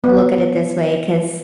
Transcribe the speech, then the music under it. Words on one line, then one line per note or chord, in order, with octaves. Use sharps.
look at it this way 'cause
B3